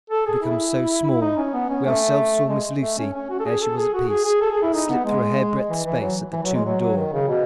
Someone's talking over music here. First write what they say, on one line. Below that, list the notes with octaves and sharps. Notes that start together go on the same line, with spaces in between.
He become so small--we ourselves saw Miss Lucy, ere she was at peace, slip through a hairbreadth space at the tomb door.
A4
G#4
E4
E4
D#4
C#4
B3
C#4
A3
G#3
A3
C#4
C#4
F#4
A4
G#4
A4
G#4
F#4
G#4
G#4
A4
G#4
E4
D#4
B3
G#3
E3
E3
F#3
E3
F#3
G#3
F#3
F#3
D#3
C#3
B2